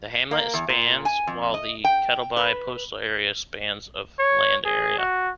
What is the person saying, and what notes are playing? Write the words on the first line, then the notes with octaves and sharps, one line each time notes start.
The hamlet spans while the Kettleby postal area spans of land area.
A#3
E2
A#2
G#5
F2
D#5
G5
B4
C#5
G#4
F#4